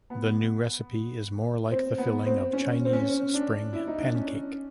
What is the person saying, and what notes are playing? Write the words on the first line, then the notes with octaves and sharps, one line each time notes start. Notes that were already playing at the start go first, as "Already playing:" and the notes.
The new recipe is more like the filling of Chinese Spring pancake.
B3
C4
B3
C4
C#4
C4
C#4
D4
E4
D#4
D4
C#4